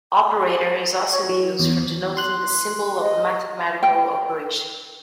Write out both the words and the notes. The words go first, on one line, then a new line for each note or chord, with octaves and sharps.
Operator is also used for denoting the symbol of a mathematical operation.
C#5
F#3
E2
C6 F#6
D#5
G5